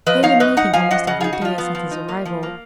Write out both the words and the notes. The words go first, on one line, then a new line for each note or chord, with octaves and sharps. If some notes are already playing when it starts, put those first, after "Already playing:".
They had been meeting almost every day since his arrival.
F3 B4 D#5
D#4 C#5 F5
F#2 B4 D#5
D#4 D#5 F#5
F3 F5 G#5
F#2 D#5 F#5
C#3 D#5 F#5
D#4 F4 G#4
F#4
F3 F4
B3 F4
F3
D#4
A#3
F3
A#3